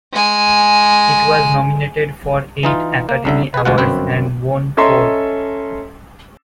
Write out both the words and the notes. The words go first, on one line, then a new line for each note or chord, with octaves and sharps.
It was nominated for eight Academy Awards and won four.
G#3 G#5
E3 D#4 F4
A#3
C2 D3 E5
G#4 B4
G1 D2 B2 G#3 F4 F#5
G1 F#2 C4 B4
C#4 A4 D#5 E5 A#5 C6